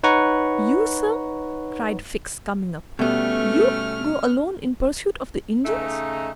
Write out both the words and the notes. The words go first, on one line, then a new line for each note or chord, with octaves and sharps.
"You, sir!" cried Fix, coming up; "you go alone in pursuit of the Indians?"
D#4 B4 C#5 F#5 A#5 C#6
B2 G3 A3 B3 C#4 F6
C#3 A3 D#4